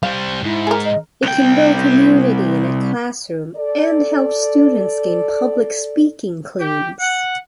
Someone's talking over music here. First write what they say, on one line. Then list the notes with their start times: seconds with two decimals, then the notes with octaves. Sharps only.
It can build community in a classroom and help students gain public speaking cleans.
0.03 G3 C5 F5
0.44 G#2 E4
0.67 G#4 A#4
0.84 D#5
1.24 C2 G5
3.56 A4 D5
6.60 G4
7.00 F#5